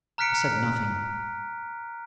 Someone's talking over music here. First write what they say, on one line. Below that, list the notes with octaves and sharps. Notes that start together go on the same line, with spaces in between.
I said nothing.
A#5 F6 F#6 B6 C#7 D7